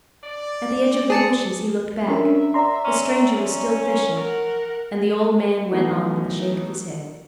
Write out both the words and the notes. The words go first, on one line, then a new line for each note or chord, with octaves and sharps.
At the edge of the bushes, he looked back; the stranger was still fishing, and the old man went on with a shake of his head.
D5
G#4 A5 C#7
C#4 D4 A#4 E5
D5 A#5 C6
C#4
A#4 F#5
E3 F#3 A3 B3 D#4